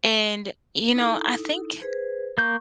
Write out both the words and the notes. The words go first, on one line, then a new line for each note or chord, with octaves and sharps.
and, you know, I think
D#4 E4 A4
G#4 B4 C5
A#3 C#6 G6